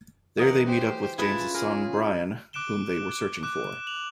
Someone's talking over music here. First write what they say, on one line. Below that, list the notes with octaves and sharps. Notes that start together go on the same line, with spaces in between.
There they meet up with James' son, Brian, whom they were searching for.
E3 A#4 D#5 F#5
A2 G#3 F#4 G4 C5
C#4 E4 F4 G#4 B4 A5 G#6
G#4 A#4
D6 F#6 D7 E7 G7
D6 F#6 E7
F7 F#7